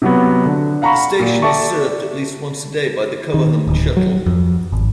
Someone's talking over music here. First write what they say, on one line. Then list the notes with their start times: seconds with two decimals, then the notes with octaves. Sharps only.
The station is served at least once a day by the Koaham Shuttle.
0.02 C3 F#3 B3
0.46 D3
0.82 F5 F#5 A#5 B5 C#6
1.20 A#2
1.42 A4 D5 E5 G5 A5 C#6
3.34 D#3
3.68 D1
3.97 F#3
4.26 F2
4.72 G#1